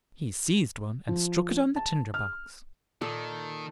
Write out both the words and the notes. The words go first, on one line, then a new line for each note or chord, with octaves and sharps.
He seized one and struck it on the tinder-box.
F3
A5
F6
A#2 D#3 A4